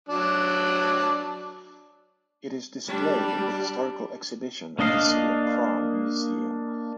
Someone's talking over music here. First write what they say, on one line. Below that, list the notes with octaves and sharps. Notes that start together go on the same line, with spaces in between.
It is displayed in the historical exhibition of the City of Prague Museum.
F#3 D4
G3 D4
A#3 D4 D#5 F5